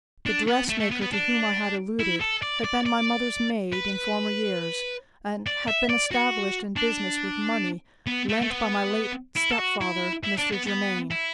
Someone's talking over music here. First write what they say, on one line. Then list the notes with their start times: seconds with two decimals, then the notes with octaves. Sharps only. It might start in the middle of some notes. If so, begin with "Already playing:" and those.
The dressmaker to whom I had alluded had been my mother's maid in f ormer years, and had been established in business with money lent by my late step-father, Mr. Germaine.
0.26 D4
0.48 B3
0.69 A3
0.80 A3
0.91 B3
1.02 B3
1.13 D4
1.99 E4
2.21 A4
2.43 D5
2.64 D5
2.86 D5
3.73 B4
5.47 D5
5.68 E5
5.90 D5
6.11 F#4
6.76 D4
8.07 B3
8.29 A3
8.41 A3
8.50 B3
9.37 E4
9.51 A4
9.58 F#4
9.81 E4
10.24 E4
10.38 D4
10.52 B3
10.67 B3
11.11 E4